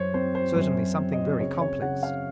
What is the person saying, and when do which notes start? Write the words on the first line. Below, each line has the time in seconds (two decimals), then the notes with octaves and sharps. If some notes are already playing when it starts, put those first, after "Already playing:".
Certainly something very complex.
Already playing: F#2 C5 C#5
0.14 C4 C5
0.35 C5
0.56 F#2 C5
0.98 C4
1.12 D#5
1.40 C#3 C#5
1.61 C#5
1.82 C#3 F#5
2.03 F5